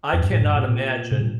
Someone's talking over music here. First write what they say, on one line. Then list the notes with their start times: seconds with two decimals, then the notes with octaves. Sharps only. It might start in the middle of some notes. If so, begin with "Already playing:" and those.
I cannot imagine
0.13 F2
0.22 G2
0.31 A2
0.43 G2
0.56 A#2
0.69 A#2
1.11 C3
1.21 A#2